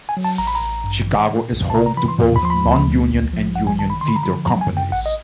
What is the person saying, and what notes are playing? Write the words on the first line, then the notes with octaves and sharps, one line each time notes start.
Chicago is home to both non-union and union theater companies.
G#5
F#3
A5
A1 A#5
B5
A#5
A1
G2
E3
A#2
B1
A5
C3 A#5
A#5
E3 B5
C6
D#2
B5
F3 C6
B5
D2
D2
B1
F3
A#1 F#5
G#5
D#3 A5
B5
D3 C6
B5
A#5
F3 B5
F#3 A#5
G#5
F#2
G5
A1 F#5
D#5